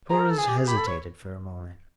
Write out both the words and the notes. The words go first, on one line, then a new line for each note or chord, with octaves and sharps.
Torres hesitated for a moment.
G#4 A#5
A#4
A4
G#4 G#5
G4
G#4
G4 B5
A4
C#5